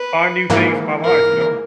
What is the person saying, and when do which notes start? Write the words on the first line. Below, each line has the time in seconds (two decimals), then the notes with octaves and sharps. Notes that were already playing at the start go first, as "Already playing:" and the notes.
find new things in my life, you know?
Already playing: B4
0.50 G#2 E3 A#3
1.04 A#4